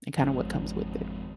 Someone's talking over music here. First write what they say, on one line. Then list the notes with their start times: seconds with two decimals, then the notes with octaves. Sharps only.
and kinda what comes with it.
0.17 G#1 F2